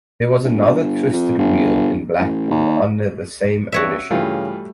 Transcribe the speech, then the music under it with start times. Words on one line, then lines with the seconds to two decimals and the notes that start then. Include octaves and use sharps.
There was another Twisted Wheel in Blackpool under the same ownership.
0.45 G1
1.13 F2
1.39 G1
2.20 A1
2.51 D#2
3.72 G2 F#4 C#5 E5
4.11 G2 C#3 E3 G3 A3 F4